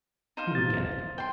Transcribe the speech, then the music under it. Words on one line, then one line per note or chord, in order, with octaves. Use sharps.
He would get it.
D#4 C5 F5
A6
G5 C6